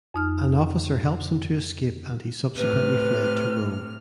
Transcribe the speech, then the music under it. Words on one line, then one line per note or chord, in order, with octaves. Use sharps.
An officer helps him to escape and he subsequently fled to Rome.
F2 D#4 F6
A2 C3 B4 F6